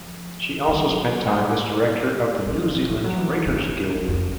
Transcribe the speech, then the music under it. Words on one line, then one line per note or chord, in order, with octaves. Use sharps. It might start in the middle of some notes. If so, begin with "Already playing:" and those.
She also spent time as director of the New Zealand Writers Guild.
Already playing: F3
G3
F#3
G#3
G3
F#3
F3
E3
F3
F#3
E3
D#3
D3
C#3
E2
F2